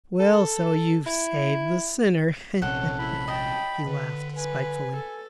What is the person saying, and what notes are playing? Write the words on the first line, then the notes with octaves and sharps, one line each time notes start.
"Well, so you've saved the sinner?" he laughed spitefully.
A4
E4
A#1 C3 C#4 A4 C#5 F#5
E4 B5
D#5 G5 A5
D3 B4
B4 G#5
A4